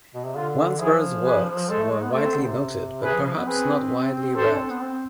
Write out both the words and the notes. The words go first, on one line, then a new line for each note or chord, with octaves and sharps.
Wansbrough's works were widely noted, but perhaps not widely read.
B2
C3
D3 F4
F3 E4 G#4
G#4 B4
G#3 A4 C5
A3
G#3
B3
A3 A4 C5
C4
D3
C3
C3 G#4 B4
F3
F3
B3
C4 G#4 B4
C4 A4 C5
D4
C4
B3
C4